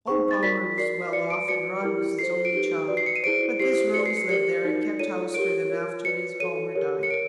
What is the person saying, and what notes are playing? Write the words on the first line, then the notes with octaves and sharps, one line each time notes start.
Old Palmer was well off and Rod was his only child, but this Rose lived there and kept house for them after Mis' Palmer died.
D#4 G#4 C5 C#6
A6
F#4 A#4 D5 B6
F#4 A#4 D5 C7
F#4 B4 D5 C#7
D7
F#4 B4 D5 C#7
E4 G4 A#4
F4 A4 C5 C7
D7
D#4 G4 B4
F#4 B4 D5
C7
C#7
D#7
E4 G#4 C5 D7
E4 G4 C5 C7
F#4 B4 D5 C#7
C7
C#7
G4 A#4 D5 C#7
D#4 F#4 A#4 D5
F4 A4 C#5 D#7
G4 A#4 C#5 D7
F4 A#4 C#5
F#4 B4 D5 C#7
F#4 A4 C#5 D#7
G4 A#4 C#5
C#7
A#4 C#5 D7